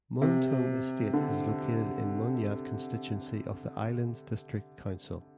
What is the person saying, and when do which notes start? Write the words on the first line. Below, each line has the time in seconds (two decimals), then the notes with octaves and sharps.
Mun Tung Estate is located in Mun Yat constituency of the Islands District Council.
0.22 C3
1.13 D3